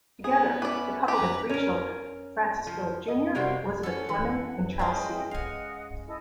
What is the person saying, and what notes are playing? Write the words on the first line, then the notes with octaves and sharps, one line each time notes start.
Together the couple had three children: Francis Philip Junior Elizabeth Fleming, and Charles Seton.
B3 G#4
C#4 B4 D5 E5 D6
G4 B4 A#5
C#4 A#4
F3
D#5
C3 G3 A#3 C4 F#4
C#4 A4 F#5
E3
G#3 C#4 D#5 E5 G5
D#5 F5 F#5 G#5
E4 A4 D#5